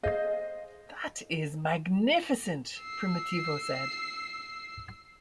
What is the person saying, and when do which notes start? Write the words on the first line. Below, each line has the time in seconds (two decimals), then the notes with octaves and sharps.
'That is magnificent,' Primitivo said.
0.03 G#4 C5 D#5 F5
2.79 E6 C7